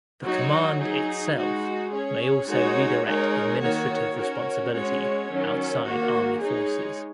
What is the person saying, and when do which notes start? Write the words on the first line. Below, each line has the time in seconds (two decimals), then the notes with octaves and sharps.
The Command itself may also redirect administrative responsibility outside Army forces.
0.23 F#3 D#4 F#4 C#5
0.79 F#3 D#4 G#4
1.35 G#3 D#4 F#4
1.91 C#4 G#4 C#5
2.47 G#3 D#4 F#4 A#4 C#5
3.04 G#3 D#4 A#4 C#5
3.60 D#3 A#3 F#4 C#5
4.16 C#4 F#4 A#4 C#5
4.72 G#3 C#4 F#4 C#5
5.29 D#3 F#3 C#4
5.84 D#3 A#3 F#4
6.41 G#3 D#4 G#4 C#5